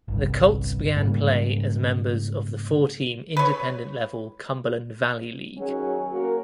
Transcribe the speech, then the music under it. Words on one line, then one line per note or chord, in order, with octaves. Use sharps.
The Colts began play as members of the four–team Independent level Cumberland Valley League.
G1 C2 G2
G#2 C#3 G3 A#3
B4 C#5
D#3 F#3 C#4 F#4 G#4 C#5
A#3 C#4 F#4 A#4